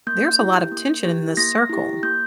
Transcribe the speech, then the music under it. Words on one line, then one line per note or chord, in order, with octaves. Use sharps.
There's a lot of tension in this circle.
A#3 G6
E4 G4
A#3
E4 G4
A#3 A#6
E4 G4
A#3 G6